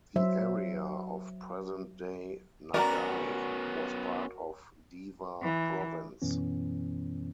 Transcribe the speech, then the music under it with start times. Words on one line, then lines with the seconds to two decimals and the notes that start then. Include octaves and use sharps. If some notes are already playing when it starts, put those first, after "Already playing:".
The area of present-day Nagai was part of Dewa Province.
0.16 F#3 C5 E5
2.74 B3 C#4 F#4 A#4 D5 A#5
5.42 E3
6.22 F#2 B2 E3 B3 C#4